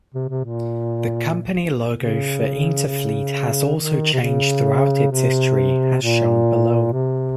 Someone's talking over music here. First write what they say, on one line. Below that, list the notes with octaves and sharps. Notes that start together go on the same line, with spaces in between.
The company logo for Interfleet has also changed throughout its history as shown below.
C3
C3
A#2
C#3
C#3
D#3
C3
C#3
C3
A#2
C3